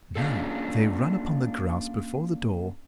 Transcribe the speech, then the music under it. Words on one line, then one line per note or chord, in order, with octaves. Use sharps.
Now they run upon the grass before the door.
A#3 C#4 D4 F4 G#4 A4